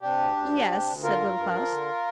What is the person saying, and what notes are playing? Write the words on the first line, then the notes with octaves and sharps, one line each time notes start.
'Yes,' said Little Klaus.
C3 D4 G4
D2
D2
F3
C3
D2
D3 F4 A#4
G2
G2
F3
D3